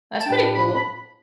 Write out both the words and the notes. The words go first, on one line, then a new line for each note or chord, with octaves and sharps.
That's pretty cool.
A5
A2 G3 D4 G5
B5
B5